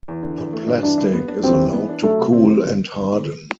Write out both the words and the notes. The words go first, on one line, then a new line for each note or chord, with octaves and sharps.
The plastic is allowed to cool and harden.
E2
D3
E2
A3
G2
E3 D4
G2
B3
D4
G3 C4
E3
B3
D4
F#3 A3
C3
C4